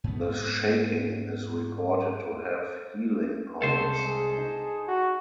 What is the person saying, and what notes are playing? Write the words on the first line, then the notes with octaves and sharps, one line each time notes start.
The shaking is reported to have healing powers.
G#2 B3
C2 G#3 A4 C5 A5
G#4
D#4
F#4